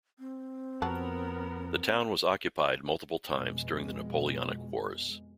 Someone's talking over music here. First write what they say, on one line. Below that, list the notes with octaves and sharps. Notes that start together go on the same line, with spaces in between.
The town was occupied multiple times during the Napoleonic Wars.
C4
F2 F#3 B3 A#4 F#5 A5
F2 B2 G#3